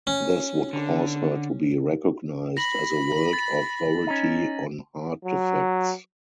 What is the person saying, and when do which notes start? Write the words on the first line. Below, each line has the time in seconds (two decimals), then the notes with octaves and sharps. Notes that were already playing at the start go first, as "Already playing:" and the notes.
This would cause her to be recognized as a world authority on heart defects.
0.07 C#4
0.73 D3
2.57 B5 A#6 F#7
3.33 A6
4.07 C#4 D#4
5.25 F#3